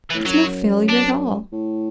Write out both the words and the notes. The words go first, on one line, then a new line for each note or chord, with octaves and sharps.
It's no failure at all.
E3
A2
F#2 F#3
D4
A2